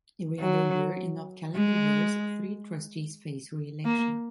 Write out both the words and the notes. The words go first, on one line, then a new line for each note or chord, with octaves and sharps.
Every other year, in odd calendar years, three trustees face re-election.
F#3
G#3
A#3